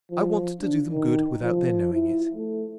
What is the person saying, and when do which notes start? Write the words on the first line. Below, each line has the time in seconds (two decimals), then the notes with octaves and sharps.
I want to do them good without their knowing it.
0.11 F3
0.62 D4
0.91 D#3
1.43 F3
1.93 E4
2.36 A3